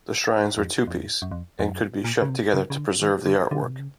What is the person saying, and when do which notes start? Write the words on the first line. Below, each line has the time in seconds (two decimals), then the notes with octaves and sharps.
The shrines were two-piece, and could be shut together to preserve the artwork.
0.58 F2
0.87 F2
0.95 E2
1.22 F#2
1.31 F2
1.59 F2
1.68 F#2
2.04 A#2
2.22 C#3
2.29 C3
2.54 C#3
2.70 C#3
2.77 D3
3.02 D#3
3.26 D3
3.51 D3
3.63 B2
3.70 C3
3.79 C#3